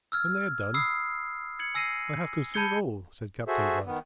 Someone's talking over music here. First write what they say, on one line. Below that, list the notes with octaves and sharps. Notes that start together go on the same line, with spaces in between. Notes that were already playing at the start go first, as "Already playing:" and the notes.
When they had done, "I have considered all," said Captain Blood.
E6 F6 G#6
B5 D#6 E6 G#6 C7
G#6 C#7 F#7
G#5 E6 A#6 C7 D#7
A5 B5 G6 G#6 C#7 G7
F#4 G#4 A4 C5 E5
D#3 B3